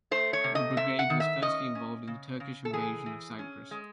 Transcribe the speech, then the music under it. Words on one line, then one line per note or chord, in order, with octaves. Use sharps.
The brigade was firstly involved in the Turkish invasion of Cyprus.
A3 C5
C#5
C3
D#5
C3 E5
F#5
D#3
E5
C#4 D#5
C#4
C#3
C#3
A4
E3 G#4
E3
C#4
G#3